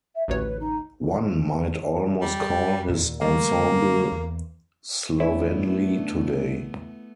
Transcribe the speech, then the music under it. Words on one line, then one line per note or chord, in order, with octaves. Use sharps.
One might almost call his ensemble slovenly today.
E5
A1 D2 B4 C#5
D#4
G3
D#2 A#2
D3 G3 A3 A#3
E2
A3 B3 D4 E4 C#5